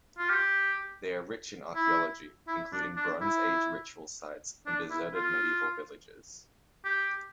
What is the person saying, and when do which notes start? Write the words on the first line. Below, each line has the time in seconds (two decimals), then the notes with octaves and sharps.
They are rich in archaeology, including Bronze Age ritual sites and deserted medieval villages.
0.18 F4
0.30 G4
1.75 E4
2.48 E4
2.73 D4
2.97 D4
3.21 E4
4.66 D4
4.90 E4
5.14 F4
6.84 G4